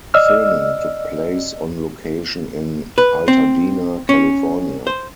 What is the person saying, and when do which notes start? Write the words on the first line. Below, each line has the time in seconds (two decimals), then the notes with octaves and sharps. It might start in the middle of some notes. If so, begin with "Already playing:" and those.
Filming took place on location in Altadena, California.
0.14 D5 D#5 E6 F6
2.98 B4
3.28 C4
4.09 C#4
4.87 C5